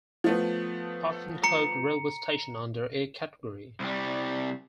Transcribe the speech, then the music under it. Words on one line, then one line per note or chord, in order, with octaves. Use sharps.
Pathankot Railway Station under A-category.
F3 A3 B3
A#5 C#7
C2 G3